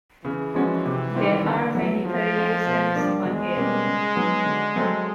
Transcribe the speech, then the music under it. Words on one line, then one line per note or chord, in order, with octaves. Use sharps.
There are many variations on it.
C#3 E3
F3 G#3 C#4 F#4
C3
D#3 G3 C4 E4
D3
F#3 B3 E4
E3 F3
G#3 C4 F4
B2
G3 A#3 D4
E2 G#3
B2 G3 A#3 C#4
C#3
F#3 B3 D#4 F#4
D3
F#3 A3 C4